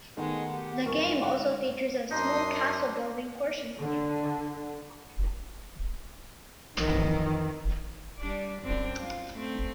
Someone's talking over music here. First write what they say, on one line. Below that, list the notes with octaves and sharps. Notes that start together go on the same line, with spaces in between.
The game also features a small castle-building portion.
D#3 G#3 A3 B3 D#4 F#5
G4
F#1 C2 E3 A#4 C#6
G#2 D3 F#4
F#2 D4 D#4 C6 D#6
D3
F2 D#3 E3
G3 D4 D5
F#2 C4 D4
F4
A3 C4